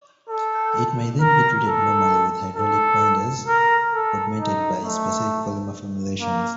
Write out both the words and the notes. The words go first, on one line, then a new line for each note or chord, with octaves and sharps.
It may then be treated normally with hydraulic binders, augmented by specific polymer formulations.
A4
A#4
A4
A4
A#4
A4
D#4
A3
A#3